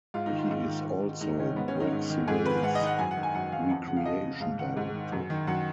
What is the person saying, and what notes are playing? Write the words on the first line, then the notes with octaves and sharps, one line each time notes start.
He is also Brecksville's Recreation Director.
G#2 F4
D#4
D#3
F4
G#2
D#3
G#2
D#3
G#2 D#4
D#3 C#4
G#2 B3
C#4
D#3
D#4
G#2
D#3
G#2 G#4
D#3 B4
G#2 F#5
D#5
D#3
F#5
F#2 G#5
F#5
D#3
G#5
F#2 F#5
D#3 F5
F2 F#5
C#3 F#5
F5
F2 D#5
C#3
G#2 F5
D#3 F#5
G#2
D#3
F#2
D#3
F#2 F#5